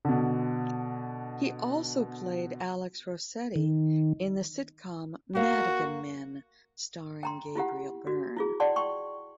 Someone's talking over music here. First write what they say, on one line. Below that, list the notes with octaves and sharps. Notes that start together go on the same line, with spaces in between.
He also played Alex Rosetti in the sitcom "Madigan Men", starring Gabriel Byrne.
B2 D3
D#3
A#3 F#4 A#4 F5
G5 A#5 C6
E4 F4 G4 F#5
F#4
E4 F4 G#4
D5 F#5 G5 A5 C6
G5 C6 C#6